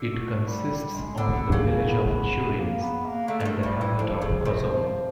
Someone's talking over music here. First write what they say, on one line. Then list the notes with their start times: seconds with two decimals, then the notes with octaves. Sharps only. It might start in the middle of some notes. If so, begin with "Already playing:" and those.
It consists of the village of Juriens and the hamlet of Cosson.
Already playing: D3
0.13 A3
0.47 G3
0.71 G3
0.95 G#3
1.17 D3 B3
1.42 B3
1.52 C#3 A#3
1.88 B3
2.10 B3
2.58 A#3
2.82 B3
3.05 A#3
3.28 D3 A3
3.40 D3
3.45 D#3
3.63 F3 G3
3.81 E3
3.99 D3 F3
4.22 C#3
4.45 C3
4.68 F3